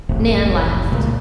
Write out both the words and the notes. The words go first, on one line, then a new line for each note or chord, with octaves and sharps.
Nan laughed.
F1 C2 A2
C#2 A#2 C#3 A#3